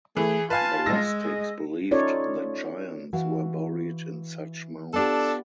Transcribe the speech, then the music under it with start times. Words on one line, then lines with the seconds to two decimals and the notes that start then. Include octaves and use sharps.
The rustics believed that giants were buried in such mounds.
0.17 E3 A3 G#4
0.50 F4 B4 F5 G#5 A5
0.86 G#3 E6 A#6
1.23 G#4 D#5
1.91 C#4 D#4 F4 A4 C#5 D5
3.13 E3 F#4 F5
4.94 B3 D4 F4 G4 A4 D5